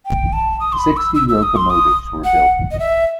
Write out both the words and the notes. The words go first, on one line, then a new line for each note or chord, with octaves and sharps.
Sixty locomotives were built.
G5
A5
D#6
C6
B5
E6
E6
E6
D#6
C6
D#6
F#5
D#5
E5